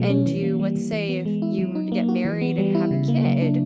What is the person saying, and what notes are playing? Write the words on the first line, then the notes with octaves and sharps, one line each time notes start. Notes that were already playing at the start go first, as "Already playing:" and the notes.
and you let's say, if you were to get married and have a kid,
Already playing: B2 F#3 A3
C#4
E3
A#3
G3
E3
E3
B3
G#3
E4
F#3
D#4
A#3
F#4
E3
B3
G3
E4
C#3
A#3
F#3
D4